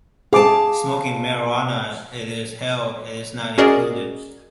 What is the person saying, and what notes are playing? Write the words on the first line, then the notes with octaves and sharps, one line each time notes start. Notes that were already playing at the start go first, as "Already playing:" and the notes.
Smoking marijuana, it is held, is not included.
G#4 F5 A5 D6
C#4 F#4 G#4 A#4 D5 D#5